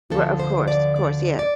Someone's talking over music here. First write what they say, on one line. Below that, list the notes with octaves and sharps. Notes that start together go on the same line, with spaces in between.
Ri of course, of course, yeah.
D2 D3 F3 A4
C5
D5
D5
D5